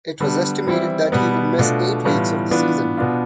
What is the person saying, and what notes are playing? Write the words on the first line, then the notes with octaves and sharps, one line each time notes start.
It was estimated that he would miss eight weeks of the season.
D3 G3 B3
E3 G3 C4 E4
B2 G3 B3
B2 A3 D4 F4
A2 E3 G3 B3 F4
E3 B3 D4 F4
B2 B3 D4 F4